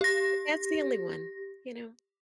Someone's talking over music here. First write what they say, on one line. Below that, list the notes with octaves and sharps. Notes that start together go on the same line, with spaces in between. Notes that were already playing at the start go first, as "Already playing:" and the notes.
That's the only one, you know?
G4 A#6